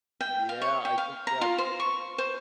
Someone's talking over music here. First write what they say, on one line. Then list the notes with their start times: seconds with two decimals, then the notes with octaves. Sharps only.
Yeah, I think that, uh
0.21 G5
0.49 F5
0.62 C#5
0.85 G5
0.98 F5
1.27 A#5
1.41 F4
1.58 C5
1.80 C#6
2.18 C5